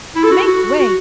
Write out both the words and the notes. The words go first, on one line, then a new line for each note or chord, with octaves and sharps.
Make way!
E4
A4
F#4
F#4
F#4
F#4